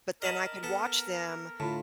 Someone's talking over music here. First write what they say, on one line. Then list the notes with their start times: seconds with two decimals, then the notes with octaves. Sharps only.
But then I could watch them
0.22 A#4 D#5 A5 B5 F6 D#7
0.63 B3 A4
1.60 A2 D3 F4 A5 B5